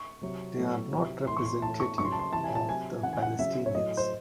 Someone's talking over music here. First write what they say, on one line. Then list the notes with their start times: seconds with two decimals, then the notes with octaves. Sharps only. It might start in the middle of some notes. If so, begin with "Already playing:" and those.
They are not representative of the Palestinians.
Already playing: C#6
0.21 C3 F#3
0.57 A2 F#3
0.92 C3 F#3
1.27 A2 E3 C6
1.37 C#6
1.46 C6
1.62 A2 E3 A5
1.80 C#6
1.98 C#3 F#3 C#6
2.05 C6
2.12 A5
2.19 C6
2.33 C3 E3 A5
2.44 G#5
2.55 A5
2.69 C3 F#3 G#5
3.03 C#3 F#5
3.08 E3
3.13 G#5
3.22 F#5
3.39 C#3 F#3 E5
3.66 C#5
3.74 A2 F#3 D#5
3.97 C5